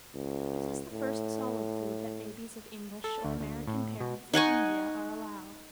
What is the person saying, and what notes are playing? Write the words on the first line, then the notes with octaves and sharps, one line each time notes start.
This is the first solid food that babies of English or American parents in India are allowed.
C#2
A2
A4
D2
D2
A2
B2
D#4 F#5 G#5 C#6